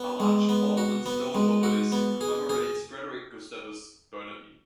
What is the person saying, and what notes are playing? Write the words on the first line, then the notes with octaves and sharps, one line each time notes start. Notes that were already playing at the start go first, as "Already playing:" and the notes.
A large Portland stone obelisk commemorates Frederick Gustavus Burnaby.
Already playing: B3
G#3
B3
F#4
B3
G#3
F#4
B3
G#4
G#4